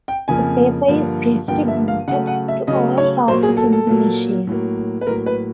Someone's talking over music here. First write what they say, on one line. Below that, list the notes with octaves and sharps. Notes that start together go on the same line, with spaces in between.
The paper is distributed to all parts of Indonesia.
G5
F2 C#3 F3 A#3 G#5
G2 D3 F3 A#3
G2 D3 F3 A#3 G5
E5
F5
C#3 F#3 A3 F#5
F#5
E5
C#3 F#3 A3 D#5
C#5
A#2 F#3 A#3 C5
G#4
A4
A4
A#2 F#3 A#3
A2 F#3 A#3
B4
A2 F#3 A#3 A#4
B4